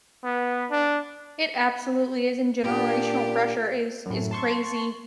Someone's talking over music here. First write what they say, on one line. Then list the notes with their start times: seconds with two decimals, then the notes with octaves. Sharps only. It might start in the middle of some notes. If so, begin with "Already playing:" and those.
It absolutely is, and generational pressure is is crazy.
0.24 B3
0.71 D4
2.64 A#2 D4 G4
4.06 F#2 A2
4.31 A5 C6 C#6